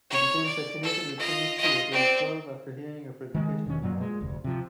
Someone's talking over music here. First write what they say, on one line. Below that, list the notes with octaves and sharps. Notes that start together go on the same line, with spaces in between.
He became fascinated with chemistry at age twelve, after hearing a presentation on nylon.
C#5
D5
A4
F4 D#5
F4 D#5
C4 D5
D#3 G#3
E1 D#3 C#4
F#2 A#2 F#3
G#3
F1 D2
C3 F3